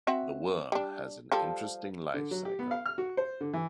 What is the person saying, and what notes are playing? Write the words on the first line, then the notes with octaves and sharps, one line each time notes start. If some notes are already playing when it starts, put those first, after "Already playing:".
The worm has an interesting lifecycle.
C4 F#4 E5
G3 D4
F3 G3 A4
D3
F#3
G4
B3
F5
F6
F#4
C5
D3
E3